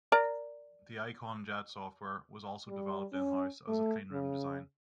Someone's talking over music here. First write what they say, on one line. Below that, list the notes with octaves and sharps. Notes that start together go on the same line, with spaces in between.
The Eiconjet software was also developed in-house as a Clean Room design.
A#4 D5 A#5
G3
C#4
A3
C#3